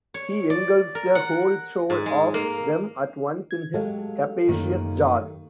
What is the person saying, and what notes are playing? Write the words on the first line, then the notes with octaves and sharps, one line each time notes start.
He engulfs a whole shoal of them at once in his capacious jaws.
C#5
D5
A#4
F#5
G#2
G#3
A#3
G#6
F#3 G#3 G4 A4 F5
F#2 D#3 A#3